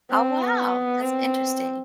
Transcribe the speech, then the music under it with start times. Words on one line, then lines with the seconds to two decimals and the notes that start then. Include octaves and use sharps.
Oh, wow! That's interesting.
0.11 C4
0.42 B3
1.03 C4